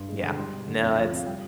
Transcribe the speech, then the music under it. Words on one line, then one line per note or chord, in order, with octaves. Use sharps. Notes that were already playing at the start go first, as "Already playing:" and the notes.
Yeah. No, it's
Already playing: G2 C6
G#3
D3
G3 C6
B2
D3
F2
F3 F5
C3 F5
G3 G5